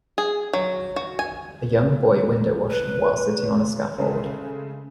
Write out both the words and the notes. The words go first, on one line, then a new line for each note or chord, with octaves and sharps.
A young boy windowwashing while sitting on a scaffold.
G#4
F#3
F#4
G#5
B4
C#3 G#3 A3